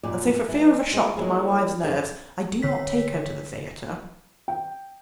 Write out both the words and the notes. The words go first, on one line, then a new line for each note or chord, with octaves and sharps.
And so for fear of a shock to my wife's nerves I do not take her to the theatre.
F#2 A#2 D5
E3 A3
G#3 F4
C#3 F#3 G#3 A#3 E4 G#4
F#2 C3 G#4
D3 C#5 B6
G5